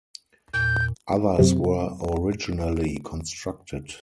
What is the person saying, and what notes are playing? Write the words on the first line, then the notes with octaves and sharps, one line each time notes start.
Others were originally constructed.
E2 A#2 G6
F#2 C3